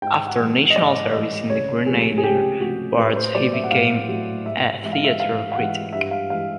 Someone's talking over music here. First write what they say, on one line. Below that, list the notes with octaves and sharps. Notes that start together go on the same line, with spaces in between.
After National Service in the Grenadier Guards he became a theatre critic.
G#2 G5
F#5
E3 G#3
D#5
G#2 D5
E3 G#3 D#5
C#2 C#5
C3 F3 A3 G#4
G#4
C#2 G4
C3 F3 A3 F#4
A2 B4
C5
F#3 A3 D5
E5
F#5
A2 F5
F#3 A3
G#2 E5
E3 G#3 E5
F5
E5
G#2 F5
F5
E3 G#3 F#5
G2 E5
F5
E3 G#3 F5